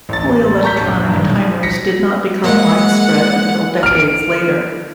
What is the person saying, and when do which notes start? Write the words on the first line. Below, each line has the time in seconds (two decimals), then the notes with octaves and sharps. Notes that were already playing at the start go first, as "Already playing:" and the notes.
Fully electronic timers did not become widespread until decades later.
0.09 A1 A6
0.63 A5 A#5 C#6 G6 B6
0.81 A#1 F#2
1.10 G2 D#3
1.25 B1
1.63 A#6 B6 C#7
2.44 G#3 A#3 F#5
3.83 F6 D7